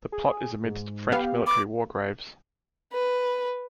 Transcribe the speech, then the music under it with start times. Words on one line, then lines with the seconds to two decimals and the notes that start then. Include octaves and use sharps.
The plot is amidst French military war graves.
0.12 G#4
0.64 G#2
1.12 B3 G4 F5
1.47 B4 D6
2.93 B4